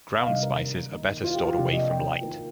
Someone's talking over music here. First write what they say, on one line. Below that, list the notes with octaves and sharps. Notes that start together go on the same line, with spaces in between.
Ground spices are better stored away from light.
F5
C3 D#3 G3 D4 D#5
A#4
D#3 A#3 D#4
F4
G4
F4
C3 F3 A#3 D4 G4
D#5
G5
D#3 A#3 F4